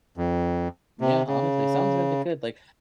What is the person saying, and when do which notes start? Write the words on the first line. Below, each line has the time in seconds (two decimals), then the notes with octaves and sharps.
Yeah, honestly, sounds really good, like,
0.17 F2
1.01 C3
1.27 C#3